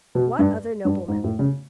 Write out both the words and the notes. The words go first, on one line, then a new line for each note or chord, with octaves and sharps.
"What other nobleman?"
B2
G2
G2
G#2
A2
C#3